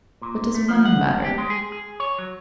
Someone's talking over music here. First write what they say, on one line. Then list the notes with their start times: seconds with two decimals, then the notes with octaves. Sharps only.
What does money matter?
0.22 A#2
0.55 A3
0.68 F3
0.85 F#5
1.23 G4
1.38 G#3
1.50 G#4
1.72 G#4
2.00 C#5
2.18 F#3